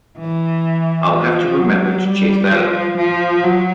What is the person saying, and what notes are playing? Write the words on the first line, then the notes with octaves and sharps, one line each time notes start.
I’ll have to remember to chase that up.
E3
F3
F#3
G3
F3
F3
F#3